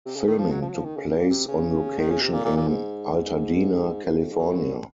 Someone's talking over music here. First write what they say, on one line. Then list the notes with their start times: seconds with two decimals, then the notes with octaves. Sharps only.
Filming took place on location in Altadena, California.
0.06 C3
0.16 C#3
0.27 D#3
0.39 F3
0.51 F#3
0.62 F3
0.68 F#3
0.74 F3
0.84 D#3
0.96 C#3
1.07 C3
1.19 A#2
1.30 C3
1.48 C#3
1.99 D#3
2.11 C#3
2.22 C3
2.33 A#2
2.45 A#2
2.56 A#2
2.67 G#2
4.04 F2
4.32 G#2
4.39 F#2